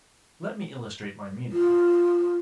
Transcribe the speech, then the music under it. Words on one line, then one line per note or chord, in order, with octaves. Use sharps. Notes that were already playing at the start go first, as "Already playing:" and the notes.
Let me illustrate my meaning.
F4